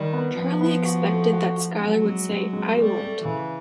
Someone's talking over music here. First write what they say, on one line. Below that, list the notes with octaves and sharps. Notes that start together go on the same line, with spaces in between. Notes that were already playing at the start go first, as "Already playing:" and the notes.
Charlie expected that Skylar would say, "I won't!"
Already playing: D#3 G3
B3
F3 B3
B3
F#4
A3
F#4
F#4
F#3 G#3
G#3
G#3
G#3
G3 A3
A3
C#3 E3